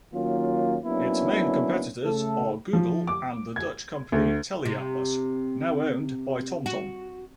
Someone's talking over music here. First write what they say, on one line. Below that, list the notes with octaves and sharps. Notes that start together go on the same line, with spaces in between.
Its main competitors are Google and the Dutch company TeleAtlas now owned by TomTom.
D#3 F#3 A#3 C#4 F4
F#3 A#3 B3 C#4 D4 E4
C#3 A3 A4
F3
D6
G#6
D2
C3
F#4